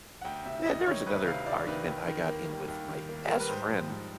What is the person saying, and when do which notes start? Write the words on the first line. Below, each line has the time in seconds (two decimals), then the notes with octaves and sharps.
Man, there's another argument I got in with my best friend
0.21 F#5
0.25 D2 G5
0.45 C3 E5
0.59 E5
0.66 D2 D#5
0.86 D#3 C#5
1.06 D2 B4
1.26 C3 F5
1.46 D2 D5
1.67 D#3 B4
1.88 D#2
2.07 D#3
2.28 A#3
2.49 G3
2.68 D#2
2.88 D#3
3.09 A#3
3.29 G3 A#4
3.40 B4
3.50 G#2 C5
3.71 F3
3.90 G#2